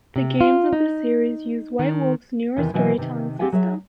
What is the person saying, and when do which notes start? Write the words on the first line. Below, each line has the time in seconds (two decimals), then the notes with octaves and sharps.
The games of this series use White Wolf's newer Storytelling System.
0.16 C3
0.41 F4
0.73 D#4
1.79 D#3
2.57 E2 C3 D#3 E3
2.74 B2 E3 F#3 D#5 G#5
2.98 C3 D#3
3.39 C4 G4 G#4 F5 F#5 G#5
3.52 F#3 G#4 C#5 E5